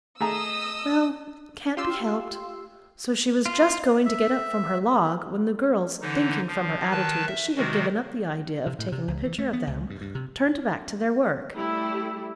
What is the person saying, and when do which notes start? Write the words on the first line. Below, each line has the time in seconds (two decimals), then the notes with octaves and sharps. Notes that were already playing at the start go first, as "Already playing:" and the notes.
"Well, it can't be helped." So she was just going to get up from her log, when the girls, thinking from her attitude that she had given up the idea of taking a picture of them, turned back to their work.
0.20 A3 G#4 D#5 A#5 D#6 E6
1.77 F4 G4 C6 E6
3.46 F4
4.05 E5
6.02 D3 E3 D#4
6.47 F3
6.92 D#3 B4 A5
7.27 E5
7.57 C3 D#3 G#3 F#4
8.66 C3
8.79 A2
8.92 C3
9.08 C#2
9.25 E3
9.38 A3
9.53 B3
9.67 C#2
9.90 G2
10.01 G2
10.15 C3
11.55 G3 A3 E4 G4